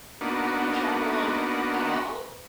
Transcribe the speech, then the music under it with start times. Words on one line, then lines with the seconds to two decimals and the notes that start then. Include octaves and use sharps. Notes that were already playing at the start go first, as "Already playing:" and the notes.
have you traveled at all?
0.21 A#3 B3 D4 D#4 F#4